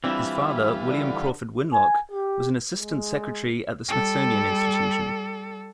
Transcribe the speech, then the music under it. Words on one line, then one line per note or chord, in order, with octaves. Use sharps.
His father, William Crawford Winlock, was an assistant secretary at the Smithsonian Institution.
E3 G3 C4 D4 E4 F4 B5
D3
G#5
G4
G#3
G3 A4